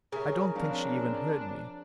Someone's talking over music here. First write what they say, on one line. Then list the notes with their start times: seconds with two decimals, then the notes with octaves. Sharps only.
I don't think she even heard me.
0.12 C#3 G#4 A#4 E5
0.55 F3 C4 D4 F5